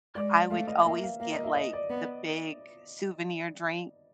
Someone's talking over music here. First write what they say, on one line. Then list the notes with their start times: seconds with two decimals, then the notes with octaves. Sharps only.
I would always get, like, the big souvenir drink,
0.15 G#3 D5
0.50 A3 F5
0.67 D#5
0.85 A#3 E5
1.03 F5
1.20 A#3 F5
1.32 D#5
1.43 E5
1.55 D#5
1.73 D5
1.90 B3